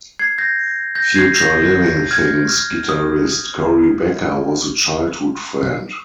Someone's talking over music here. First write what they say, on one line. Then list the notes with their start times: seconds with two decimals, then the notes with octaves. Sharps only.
Future Living Things guitarist Cory Becker was a childhood friend.
0.19 G#6 C7
0.38 G6 A#6
0.95 G6 A#6
1.15 G#6 C7
1.34 G6 A#6
2.11 F6 G#6
2.49 F6
2.89 D#6